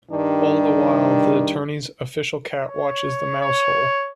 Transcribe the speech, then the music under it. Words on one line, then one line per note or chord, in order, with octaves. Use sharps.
All the while, the attorney's official cat watches the mouse-hole.
G2 D#3 G3 D4
C#5
C#5